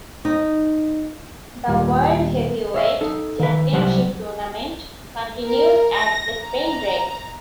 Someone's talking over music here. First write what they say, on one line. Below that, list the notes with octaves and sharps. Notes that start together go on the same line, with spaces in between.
The World Heavyweight Championship tournament continued at Spring Break.
D#4
D#2 A#2 G3
C#5 E5 F5
D#4 A4
D#3 B4
C2 F#3 G3 C5 F#5 C6
A#4
A#6
A#5